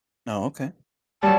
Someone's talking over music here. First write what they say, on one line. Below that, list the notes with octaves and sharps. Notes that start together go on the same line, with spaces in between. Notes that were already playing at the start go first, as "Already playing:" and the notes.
Oh, okay.
F#3 G3 A5